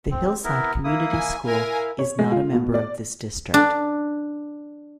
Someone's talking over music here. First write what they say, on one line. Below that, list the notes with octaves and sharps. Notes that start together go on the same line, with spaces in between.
The Hillside Community School is not a member of this district.
C4
B3 E4 A#4
A#3 E4 D#6
G#5
E4 A#4 F5 G#5
C#5
G#3
F4
B2
D5
D4